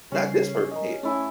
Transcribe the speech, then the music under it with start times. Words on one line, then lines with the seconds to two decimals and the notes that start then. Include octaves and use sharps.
Not this person here.
0.12 C#3 G3 C#4 C7
0.71 A#4 D#5
1.03 A3 C#4 E4 G#5